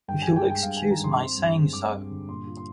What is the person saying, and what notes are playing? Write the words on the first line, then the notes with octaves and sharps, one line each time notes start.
If you’ll excuse my saying so.
G2 G5
G#5
G#3
G5
G2
G5
G2 F5
G#5
D#3
A#5
G2 C6
C4 C6
G2
G#3
G2 D6
G2
D3
A#2 C6
F4
C6